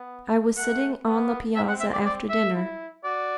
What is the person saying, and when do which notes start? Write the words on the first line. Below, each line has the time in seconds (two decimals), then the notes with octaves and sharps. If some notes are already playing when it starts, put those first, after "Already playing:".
I was sitting on the piazza after dinner.
Already playing: B3
0.57 A3 F#5
1.06 B3
1.56 C4 E5
1.69 F#5
1.80 E5
1.93 D5
2.06 D5
2.30 E5
2.55 E4
3.04 F#4 D5